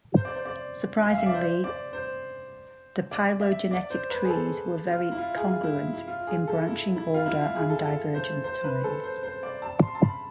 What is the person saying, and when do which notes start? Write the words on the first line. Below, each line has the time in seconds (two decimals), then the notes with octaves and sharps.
Surprisingly, the phylogenetic trees were very congruent in branching order and divergence times.
0.16 C5
0.25 D5
0.35 C5
0.45 D5
1.02 G#5
1.10 F5
1.18 E5
1.26 D5
1.34 C5
1.64 D5
1.93 C5
3.11 D5
3.41 E5
3.71 D5
3.90 C5
4.10 B4
4.25 G#4
4.30 A4
4.89 F4
5.11 E4
5.18 F4
5.37 G#4
5.48 F4
5.63 E4
5.93 E4
6.07 F4
6.27 G#4
6.47 A4
6.67 E4
6.96 E4
7.14 F4
7.26 E4
7.41 F4
7.56 G#4
7.70 A4
7.85 A4
8.15 C5
8.44 C5
8.64 B4
8.84 A4
9.03 C5
9.23 C5
9.43 D5
9.62 A5
9.82 C6
9.95 A5
10.02 B5